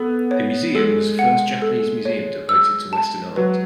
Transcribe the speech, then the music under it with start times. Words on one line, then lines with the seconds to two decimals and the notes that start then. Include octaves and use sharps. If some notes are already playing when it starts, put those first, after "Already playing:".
The museum was the first Japanese museum devoted to Western art.
Already playing: B3 A4
0.31 C#5
0.75 G#3 A4
1.19 F#5
1.62 A4
2.05 C#5
2.49 E6
2.93 A5
3.36 F#3 B4